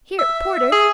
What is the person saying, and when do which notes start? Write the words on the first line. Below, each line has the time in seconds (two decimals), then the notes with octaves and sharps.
Here, porter!
0.19 E5
0.72 G#4